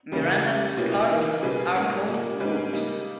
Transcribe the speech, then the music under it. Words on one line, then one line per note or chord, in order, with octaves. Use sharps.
Mirandan scarps are called rupes.
E2 C#3 G3 A#3 C#4
G3 C#4 G4
B2 A#3 C#4 E4 G4
E3 A#3 D#4 A#4
B2 G3 C#4 G#4 B4
G#2 G3 A#3 C#4
A#2 G3 A#3
G#2 G3 C#4 G#4 B4
G3 A#3 D#4